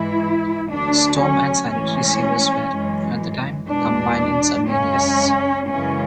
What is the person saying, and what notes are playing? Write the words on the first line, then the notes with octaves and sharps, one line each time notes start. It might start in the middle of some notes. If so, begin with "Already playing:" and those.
Storm and sanitary sewers were, at the time, combined in some areas.
Already playing: G#2 E3 G#3 E4
D2 D3 F#3 D4
C#4
A2 E3 G#3 C#4
F#2 E3 G#3
E2 B2 G#3 D4
F#2 C#3 G#3 C#4
F#2 C#3 E3 G#3 C#4